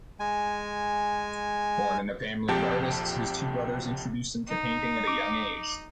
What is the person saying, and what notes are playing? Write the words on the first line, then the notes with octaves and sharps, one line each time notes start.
Born in a family of artists, his two brothers introduce him to painting at a young age.
G#3 G#5
A#1 F2 C3 G4 G5 A5
D#4
D6